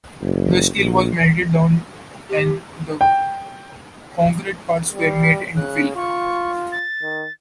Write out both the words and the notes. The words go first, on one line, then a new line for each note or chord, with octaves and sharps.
The steel was melted down and the concrete parts were made into fill.
F#1
A#1
G4
G5
G3
C#3 F#6
F4 C#6
A6
D#3